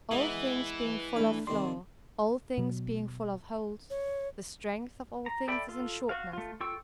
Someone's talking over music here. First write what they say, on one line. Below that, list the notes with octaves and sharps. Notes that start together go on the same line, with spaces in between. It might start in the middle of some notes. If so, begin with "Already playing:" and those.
All things being full of flaw, all things being full of holes, the strength of all things is in shortness.
E3 G#3 B3 E4
A3 D4 B5
C3 D#3 G3 C6
B2 F#3
C#5
A#5
A4 D5 E5 G5 B5
F4 A4
F#4 F5
A3 F4
F4 A4 G5 C#6 E6